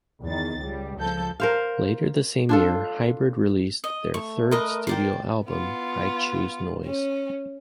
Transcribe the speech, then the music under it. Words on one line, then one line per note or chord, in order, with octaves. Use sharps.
Later, the same year, Hybrid released their third studio album, "I Choose Noise".
E2 D#3 A6
C#2 G3
C#2 F3 A4 G6
A#4 C5 F5
D4 F4 A4
D#5
A3 C#6
A#4 B4 D#5 C6
C5 D5 G5
B3 F4
C#4